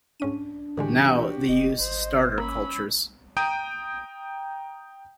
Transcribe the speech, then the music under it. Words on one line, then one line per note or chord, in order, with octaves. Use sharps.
Now, they use starter cultures.
G#2 C#4 D4 D#7
A2 D3 E3 G#3 F#4 G4
F1 D#5
G#1 C5
A#3 C#4 B5 E6
G5 A#5 D#6 G6 D7 D#7